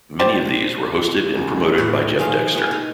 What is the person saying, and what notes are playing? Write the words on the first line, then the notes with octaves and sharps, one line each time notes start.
Many of these were hosted and promoted by Jeff Dexter.
C5 D5 G5 A5
C#2
A2 D#3 E3
D#3 F3 G#4 F5
B3 E4 G4 G#4
D#4